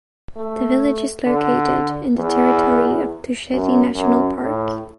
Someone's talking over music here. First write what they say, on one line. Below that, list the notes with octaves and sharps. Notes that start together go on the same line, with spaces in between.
The village is located in the territory of Tusheti National Park.
A3
D3
E2
F#2
F#2
A2